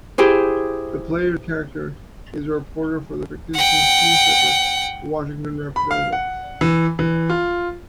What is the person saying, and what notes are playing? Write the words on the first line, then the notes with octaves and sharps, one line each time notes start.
The player's character is a reporter for the fictitious newspaper "The Washington Representative".
E4 G4 G#4 C5
F#5 G5
B5
F5
F#5
E3
E3
F4